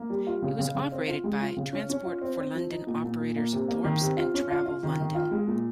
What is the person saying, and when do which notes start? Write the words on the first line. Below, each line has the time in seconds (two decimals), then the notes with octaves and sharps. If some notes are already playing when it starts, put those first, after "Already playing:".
It was operated by Transport for London operators Thorpes and Travel London.
Already playing: A#3
0.10 G3
0.27 F4
0.42 C#3
0.59 C#3
0.75 C#3
0.92 C4
1.08 F4
1.24 G#3
1.41 F4
1.57 C#3
1.73 C#4
1.90 C#4
2.05 F4
2.21 C4
2.37 C4
2.54 F3
2.71 D#4
2.87 A#2
3.04 A#2
3.19 A#2
3.36 A#3
3.53 C3
3.68 A#3
3.84 D#3
4.00 C3
4.17 F4
4.34 C#4
4.50 F4
4.66 F4
4.83 D#3
4.99 D#3
5.15 F4
5.31 G#3
5.47 A#2